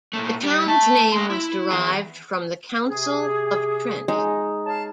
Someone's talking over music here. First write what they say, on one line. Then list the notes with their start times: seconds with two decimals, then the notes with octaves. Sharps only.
The town's name was derived from the Council of Trent.
0.13 A#2 A3
0.43 G3 G4
0.66 A3 A5
1.12 A3 C6
1.30 E4
1.71 E3 G#4
2.88 C3 G#4
4.08 G#3 D#4
4.66 C#5 F5 A5